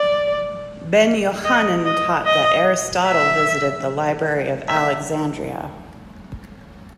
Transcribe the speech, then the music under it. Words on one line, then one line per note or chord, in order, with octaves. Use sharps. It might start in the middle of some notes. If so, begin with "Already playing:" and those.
Ben-Jochannan taught that Aristotle visited the Library of Alexandria.
Already playing: D5
D#5
D#5
D#5
E5
E5